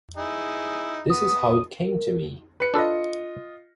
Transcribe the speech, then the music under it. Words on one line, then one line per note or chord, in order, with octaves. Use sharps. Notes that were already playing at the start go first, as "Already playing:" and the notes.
This is how it came to me...
D#4 E4 G#4
B3 D#6
A#4
B4 C#7
D4 F4 A4 B4 D#5